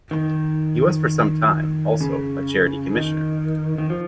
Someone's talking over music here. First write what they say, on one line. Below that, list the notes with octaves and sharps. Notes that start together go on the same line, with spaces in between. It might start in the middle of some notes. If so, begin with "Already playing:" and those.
He was for some time, also, a charity commissioner.
D#3
C#3
D#3
D#3
F3